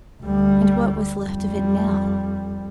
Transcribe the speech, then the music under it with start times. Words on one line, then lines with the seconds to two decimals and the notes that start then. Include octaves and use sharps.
And what was left of it now?
0.22 D2 G3
1.15 F2 G3